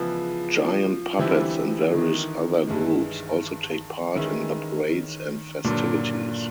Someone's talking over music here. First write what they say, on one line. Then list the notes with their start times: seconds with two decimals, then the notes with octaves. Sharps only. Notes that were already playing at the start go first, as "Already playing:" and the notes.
Giant puppets and various other groups also take part in the parades and festivities.
Already playing: C#3 E3 F3 G#3 B3 E4
1.19 D3 E3 G3 C4 E4 G4
1.94 D#3
2.67 G2 E3 G#3
4.15 D#3 E3 G#3 C#4 E4
5.64 G2 A#2 D3 F#3